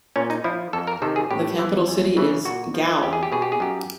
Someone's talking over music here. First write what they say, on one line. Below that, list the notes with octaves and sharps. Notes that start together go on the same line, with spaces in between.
The capital city is Gao.
A#2 C#4
D#4
F3 E4
F2 A4
A#4
C3 D#3 A4
G#4
A2 G4
E3
E2
C#3 E3
A#2 F#4
F3
E2 G4
G#4
G4
B2 G#4
G4
G#4
F#2 G4